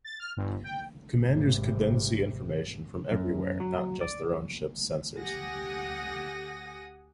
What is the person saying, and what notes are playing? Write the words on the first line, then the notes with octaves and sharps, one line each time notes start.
Commanders could then see information from everywhere, not just their own ship's sensors.
A6
F6
G1
G5
G#1 C3
F#2
F#3
D5
D2 G4 F#5 G#5 D#6 A#6